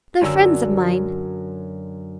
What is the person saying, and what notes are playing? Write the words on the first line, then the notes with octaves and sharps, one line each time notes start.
They're friends of mine.
F#2 D3 F#3 E6